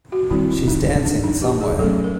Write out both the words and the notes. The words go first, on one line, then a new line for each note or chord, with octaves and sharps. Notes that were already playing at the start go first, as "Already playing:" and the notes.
She's dancing somewhere.
F#4
D#3 G3 C4 E4
D#4
D4
D#4
G4
G#4
F#3 A3 C#4 A4
A#4